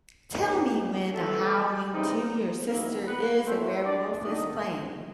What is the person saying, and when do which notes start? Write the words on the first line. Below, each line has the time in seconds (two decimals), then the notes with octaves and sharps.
Tell me when Howling II: Your Sister Is a Werewolf is playing.
0.37 A#2 F#3 B3 D#4
1.14 A#2 F#3 A3 B3 A4
1.92 C#3 E3 G3 C4 D#4
2.68 G#2 D#3 F#3 A#3 B3 E4 A#4
3.07 B3 B4
3.46 A2 E3 A3 C4 C5
3.84 D4 D5
4.23 D#3 F#3 A3 D4 D#4 D#5